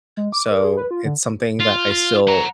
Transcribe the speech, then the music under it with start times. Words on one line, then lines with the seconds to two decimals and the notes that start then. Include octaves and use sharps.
So, it's something that I still
0.17 G#3
0.32 D6
0.51 A#4
0.64 G#4
0.77 B4
0.91 F4
1.05 D3
1.60 F4
1.92 F4
2.28 F#5 A#5